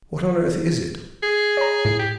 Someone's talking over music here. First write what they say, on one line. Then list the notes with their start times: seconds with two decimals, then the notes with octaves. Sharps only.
"What on earth is it?"
1.23 G#4
1.57 C#5 A#5
1.85 A2
1.99 G4